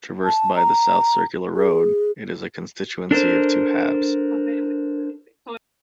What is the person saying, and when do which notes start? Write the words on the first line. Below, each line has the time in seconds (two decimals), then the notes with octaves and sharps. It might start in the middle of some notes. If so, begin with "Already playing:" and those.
Traversed by the South Circular Road, it is a constituency of two halves.
0.24 A5
0.56 A#5
1.54 G#4
3.11 D4 A4 A#4 C5